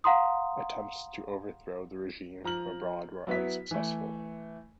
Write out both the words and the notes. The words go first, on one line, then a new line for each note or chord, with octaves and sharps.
Attempts to overthrow the regime from abroad were unsuccessful.
F5 F#5 A#5 C6 D#6
F3 A#5 F6 F#7
F#3 B3 E4 B6
E3 A3